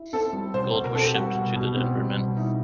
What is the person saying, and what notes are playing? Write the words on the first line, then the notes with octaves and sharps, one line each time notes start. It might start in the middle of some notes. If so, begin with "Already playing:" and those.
The gold was shipped to the Denver Mint.
Already playing: E4
C4 A4
G3
B2 C5
B2
A#4
C4 A4
G4
G3 F#4
B2
B2
C4
G3
B2
D#4 E4